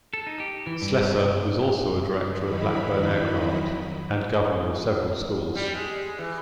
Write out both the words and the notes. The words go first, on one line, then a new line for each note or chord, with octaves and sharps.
Slessor was also a director of Blackburn Aircraft and governor of several schools.
A4
D#4
G4
E3
G2
F2 D#3 F#3 D#4 E4 B5
G3
G#3
E3